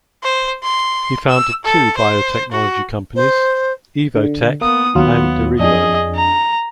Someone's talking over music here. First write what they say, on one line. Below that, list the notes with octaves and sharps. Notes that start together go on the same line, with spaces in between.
He founded two biotechnology companies, "Evotec" and "Direvo".
C5
C6
E6
A4
C5
F#4
C5
D3
A#3 B3 D#6
D#2 F#3 B3 F4
F2 D4 G#4 D#5
A#5